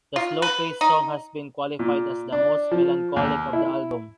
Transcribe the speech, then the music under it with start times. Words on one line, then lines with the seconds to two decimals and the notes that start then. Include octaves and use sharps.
The slow-paced song has been qualified as the most melancholic of the album.
0.16 F4
0.42 B4
0.81 D#4
1.79 A#2
2.32 D4
2.71 F3
3.16 D#2
3.53 E4